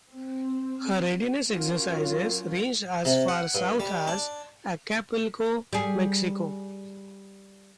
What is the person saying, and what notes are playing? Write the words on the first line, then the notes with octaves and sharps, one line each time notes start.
Her readiness exercises ranged as far south as Acapulco, Mexico.
C4
F#3 C#4 F4 A#4
C3
F#5
G2
G3
D4
G3 G#4